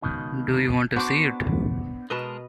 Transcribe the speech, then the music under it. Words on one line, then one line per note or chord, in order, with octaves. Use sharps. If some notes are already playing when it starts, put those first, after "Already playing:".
Do you want to see it?
C#2 B2 D#3
B3 D4 F#4 C5 D6
B2 G#3 A#4 B4 D#5 A5